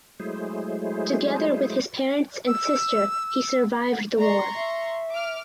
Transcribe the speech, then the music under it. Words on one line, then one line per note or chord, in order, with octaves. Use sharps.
Together with his parents and sister he survived the war.
F#3 G#3 A3 E4 G#4 C5
E6
D5 A#5 C6 C#6
E5
D6 F6